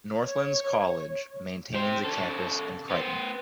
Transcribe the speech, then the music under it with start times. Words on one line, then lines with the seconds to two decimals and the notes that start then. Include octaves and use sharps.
Northlands College maintains a campus in Creighton.
0.25 C#5
1.75 G4 C5
2.05 C#3 A4
2.90 B3 C5